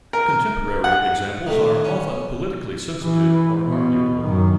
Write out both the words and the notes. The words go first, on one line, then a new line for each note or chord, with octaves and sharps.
Contemporary examples are often politically sensitive or arguable.
A#4
F#5
D#3 A3
C#4
E3
B2
F#2 D#3